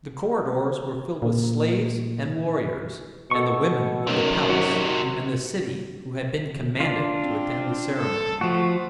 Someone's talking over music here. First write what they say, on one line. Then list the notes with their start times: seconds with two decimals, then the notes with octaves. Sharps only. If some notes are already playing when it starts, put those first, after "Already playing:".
The corridors were filled with slaves and warriors, and the women of the palace and the city who had been commanded to attend the ceremony.
1.22 A#2
3.31 B2 A4 C#6
4.07 F#2 C3 D#3
4.50 F#4
6.80 D4 F4
7.19 C4
7.98 A4
8.41 F3 A3 F#4